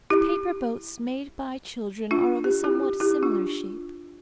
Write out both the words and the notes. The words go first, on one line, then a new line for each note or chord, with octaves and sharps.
The paper boats made by children are of a somewhat similar shape.
E4 G4
D4 F4
G4
E4 G4
E4 G4
D4 F4